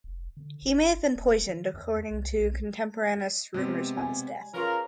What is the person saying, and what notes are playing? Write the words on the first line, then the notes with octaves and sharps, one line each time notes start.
He may have been poisoned, according to contemporaneous rumors about his death.
F1
D3
G1
F1
D#3
E2
C2
B1
D#5
C3 G#3 B3 G4 D5
G#5
C#4 F4 G#4 A#4 B4 C#5 A#5 C#6